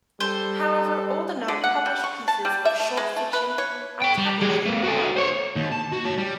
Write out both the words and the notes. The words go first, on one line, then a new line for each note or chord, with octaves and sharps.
However, all the known published pieces of short fiction are tabulated below.
G3 A4 C5
D3
F#5
G3
C#6
A5
G3
E5
A3
G#3
A3
B4
C#5
A4 G5
G3
G3 G#4
A3 B3
F#4 A4
C5 C#5
D#2
A5
F#4
C#5 A5
G3